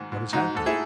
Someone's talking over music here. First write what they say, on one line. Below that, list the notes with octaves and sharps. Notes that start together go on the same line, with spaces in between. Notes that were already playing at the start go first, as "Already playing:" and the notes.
"What has happened?"
Already playing: G#2 D#3
G#2
G#2 D#4 F#4
G#2 A4
E4 G#4